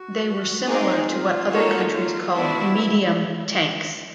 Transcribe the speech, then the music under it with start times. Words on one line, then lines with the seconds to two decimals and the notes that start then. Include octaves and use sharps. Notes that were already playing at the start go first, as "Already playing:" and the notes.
They were similar to what other countries called medium tanks.
Already playing: F#4
0.68 C4 D#4 G#4
1.09 F4
1.50 A#3 D#4 F#4 A4 C#5
1.92 F4
2.34 B3 D4 E4 F#4